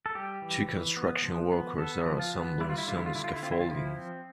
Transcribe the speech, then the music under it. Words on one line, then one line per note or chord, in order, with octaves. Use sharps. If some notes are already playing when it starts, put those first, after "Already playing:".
Two construction workers are assembling some scaffolding.
A4
G3 G4
E3
E3
B3
F3
B3
B3 A4
F3
F4
B3
G3 E4
F4
E4
D3 F4
E4
F4
D3 E4
F4
E4
C4 F4
E4
F4
F3 E4
C4